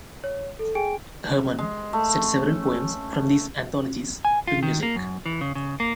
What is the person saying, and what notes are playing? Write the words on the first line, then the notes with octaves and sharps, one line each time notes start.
Herrmann set several poems from these anthologies to music.
C#5
A4
G#4 G5 G#5 D7
G#3
A3
C#4
G#5
F4
D#3
A#3
F#2
E3
C#3
C#3
A#3